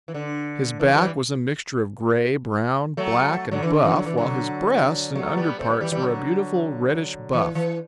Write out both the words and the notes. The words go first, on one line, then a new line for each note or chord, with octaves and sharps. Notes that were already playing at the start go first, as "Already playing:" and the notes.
His back was a mixture of gray, brown, black and buff, while his breast and under parts were a beautiful reddish-buff.
E3
D3
E3
E3 G3
F#3 A3
D3 F#3
E3
D3
E3
D3 F#3
E3
D3 F#3
F#3 A3
G3 B3
A3 C4
G3 B3
E3 G3
E3 G3
D3 F#3
E3
E3